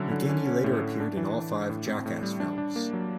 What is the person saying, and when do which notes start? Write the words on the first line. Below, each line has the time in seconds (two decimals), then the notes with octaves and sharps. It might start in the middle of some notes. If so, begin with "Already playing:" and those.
McGhehey later appeared in all five "Jackass" films.
Already playing: D3 F#3 C#4 E4
0.11 D3
0.29 C#4
0.47 C#4
0.64 A2
0.82 A2
1.00 D4
1.17 E3
1.35 E3
1.52 D4
1.70 A2
1.87 C4
2.06 A2
2.23 G3
2.40 D4
2.58 D4
2.76 A#3
2.93 F#3